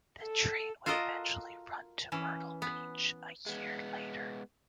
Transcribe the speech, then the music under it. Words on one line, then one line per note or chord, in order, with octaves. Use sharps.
The train would eventually run to Myrtle Beach a year later.
A4
F4 F#4 A4 A#4 D#5
E3 C#4
B3
G#3 B3